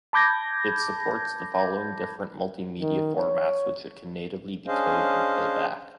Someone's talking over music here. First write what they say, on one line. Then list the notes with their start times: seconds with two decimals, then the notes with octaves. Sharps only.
It supports the following different multimedia formats which it can natively decode and playback.
0.13 A5 B5 D6 G6 G#6 A#6
2.81 D#3
3.16 C#5
4.67 C#4 D4 G#4 C5 D#5 F5